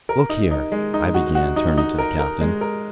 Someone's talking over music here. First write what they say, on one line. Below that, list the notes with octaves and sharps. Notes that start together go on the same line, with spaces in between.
"Look here," I began, turning to the captain.
A#4
D#4
D#4
G#3
D#4
F#4
F#4
D#4
D#4
A#4
A#4
G#3
A#4